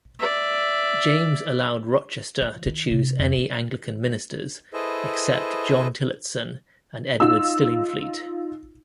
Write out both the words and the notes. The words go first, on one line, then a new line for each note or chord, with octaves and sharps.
James allowed Rochester to choose any Anglican ministers except John Tillotson and Edward Stillingfleet.
D5 E5
F3
D#3
C3
F2
C#4
E4 G#4 A4 B4 C5 D#5
D#4 F4 E6